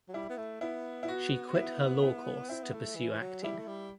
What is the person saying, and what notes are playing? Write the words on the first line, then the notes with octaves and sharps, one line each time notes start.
She quit her law course to pursue acting.
F#3
G3 E4
B3
A3
B3 E4
E4
F#4
F#4
E4
E4
C4 E4
B3
A3
E3
F#3
G3 E4
A3
G3